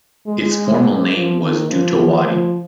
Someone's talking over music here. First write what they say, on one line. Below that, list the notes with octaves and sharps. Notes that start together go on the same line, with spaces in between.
Its formal name was Dutawadi.
G#3
F3
D#3
F3
F3